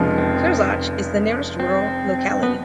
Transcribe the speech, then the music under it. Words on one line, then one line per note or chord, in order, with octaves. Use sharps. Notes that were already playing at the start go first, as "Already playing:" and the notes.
Kirzhach is the nearest rural locality.
Already playing: F1 F2 C#3 F3 G#3
C4
C4
B3